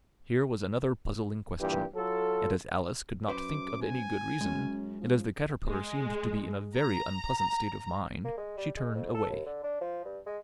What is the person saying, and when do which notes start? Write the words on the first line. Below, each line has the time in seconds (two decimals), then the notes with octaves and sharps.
Here was another puzzling question; and as Alice could not think of any good reason, and as the Caterpillar seemed to be in a VERY unpleasant state of mind, she turned away.
1.60 G2 A#2 E3 G4
1.95 F#3 F4 A4
3.28 F#2 B4 C5 D6
3.82 G#5
4.41 F#2 G#3 C#4
5.01 F3
5.67 G#3
6.76 A#5
8.25 A#3
8.37 G#3
8.57 G3
8.77 G#3
8.95 F2
9.15 A4
9.30 D#2
9.46 D3
9.64 D4
9.81 F3
10.05 G2
10.26 G#3